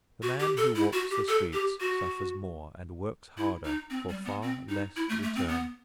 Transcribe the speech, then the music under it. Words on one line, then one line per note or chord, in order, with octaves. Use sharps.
The man who walks the streets suffers more, and works harder, for far less return.
F#4
G4
A4
E4
F#4
G4
A4
G4
F#4
E4
D#4
C4
G3
B3
C4
D#4
E4
A3
A3
C4
B3